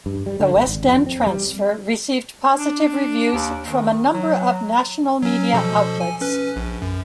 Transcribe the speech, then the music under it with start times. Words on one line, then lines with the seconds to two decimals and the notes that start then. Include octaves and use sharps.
The West End transfer received positive reviews from a number of national media outlets.
0.06 G2
0.26 G3
0.40 D3
0.56 G#1
0.67 G#1
0.86 F2
1.06 C4
1.27 G3
2.58 D4
3.33 D#2
3.66 D#3
4.13 F#3
5.23 F#3 C#4
5.54 B2 F3 A4
6.00 G#5
6.21 C#4 B4
6.56 A#1
6.82 F#2